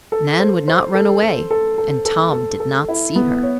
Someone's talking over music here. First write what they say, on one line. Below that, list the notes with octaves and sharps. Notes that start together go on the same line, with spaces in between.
Nan would not run away and Tom did not see her.
A4
C5
C5
A4
A4
A4
A4
A4
A4
A4
E4
B3
C#5